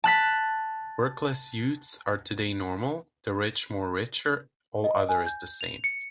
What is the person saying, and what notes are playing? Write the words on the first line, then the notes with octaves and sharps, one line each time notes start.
"Workless youths are today normal, the rich more richer, all other is the same".
A5 F#6 B6
D#5
G#5
G6
F7
C#7